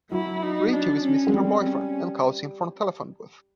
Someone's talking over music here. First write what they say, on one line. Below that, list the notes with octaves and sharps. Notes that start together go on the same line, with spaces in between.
Rachel is missing her boyfriend, and calls him from a telephone booth.
F#3 E4
D#4
D4
C#4
G#3
G3 C4
C#4